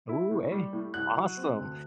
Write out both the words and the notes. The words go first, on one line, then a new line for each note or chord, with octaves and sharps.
Ooh, hey. Awesome.
E4
A2
G3
A2
C2 F#6
F#3
C4
D2